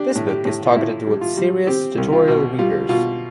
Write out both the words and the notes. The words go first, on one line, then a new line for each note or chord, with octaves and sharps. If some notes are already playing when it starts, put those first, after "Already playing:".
This book is targeted towards serious, tutorial readers.
Already playing: D4 G4
A2
G4
A2
F4
A2 E4
G3
F4
G3
C4 G4
C2
F4
B2
G3 F4
B2 F4